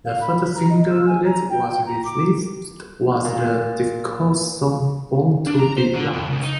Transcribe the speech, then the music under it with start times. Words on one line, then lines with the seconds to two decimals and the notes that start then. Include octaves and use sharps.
The first single that was released was the disco song "Born to Be Alive".
0.05 F5
0.21 B5
0.56 A#5
0.70 D#5
0.90 E6
1.07 G#5
1.25 A#5
1.50 G5
1.69 G5
1.86 A#5
2.05 D6
3.25 A#2
5.47 D4
5.59 A#5
5.77 C5
5.94 D3
6.13 F2
6.30 C#2
6.42 D#4